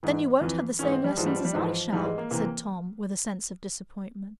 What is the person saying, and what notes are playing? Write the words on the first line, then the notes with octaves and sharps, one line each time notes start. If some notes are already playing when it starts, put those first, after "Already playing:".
"Then you won't have the same lessons as I shall?" said Tom, with a sense of disappointment.
G#2 E3
F2 E3
G#2 E3 C#4
C4
G3
G#2 E3 F3
G3
F3
G3
G#2 E3 F3
G#2 E3 G3
G#3
A#3
C3 E3 A#3